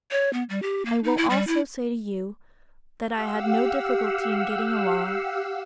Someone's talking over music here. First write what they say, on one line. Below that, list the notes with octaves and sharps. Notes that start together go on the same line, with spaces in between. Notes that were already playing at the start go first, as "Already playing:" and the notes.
I will also say to you, that I had no difficulty in getting along.
C#5
B3
G3
G4
A#3
D#4
E4
G3
E4
G4 F5 F#5 E6